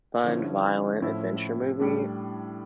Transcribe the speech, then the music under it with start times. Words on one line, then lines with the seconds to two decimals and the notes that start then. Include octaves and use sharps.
fun, violent adventure movie
0.24 D3 F3 C#4 E4
1.02 A2 F3 C#4 E4
1.80 A2 G3 D4